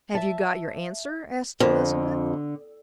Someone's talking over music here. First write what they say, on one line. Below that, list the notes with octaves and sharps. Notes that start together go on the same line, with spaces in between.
"Have you got your answer?" asked Elizabeth.
E5 A5
F2 D3